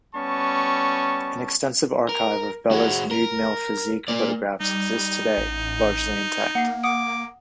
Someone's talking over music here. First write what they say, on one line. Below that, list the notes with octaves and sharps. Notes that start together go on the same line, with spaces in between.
An extensive archive of Bellas' nude male physique photographs exists today, largely intact.
G3 B3 C#4 A5 C#6
A#4
G#3 F#4
A#4
A#3 D5
G3 D#4
A1
A#3 F#5 C7
F#5 D6 D#6 D7